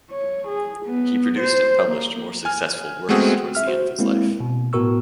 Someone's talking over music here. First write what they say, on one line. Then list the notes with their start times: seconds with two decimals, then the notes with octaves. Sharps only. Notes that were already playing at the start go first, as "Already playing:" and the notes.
He produced and published more successful works towards the end of his life.
0.11 C#5
0.48 G#4
0.86 B3
1.40 C5
1.84 A#3
2.45 G#5 F6
3.09 G#3 A3 B3 C4 F#4 G#4
3.55 E5 F6
3.67 F#4 C5
3.99 G#3 A#3 C4 E4
4.40 B2
4.73 A2 B3 F#4 A#4 C#6 E6